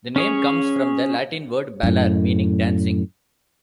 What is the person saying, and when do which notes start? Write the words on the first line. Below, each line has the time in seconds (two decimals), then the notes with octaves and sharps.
The name comes from the Latin word "ballare", meaning "dancing".
0.16 C#4 G#4 C#5
1.83 F#2 A2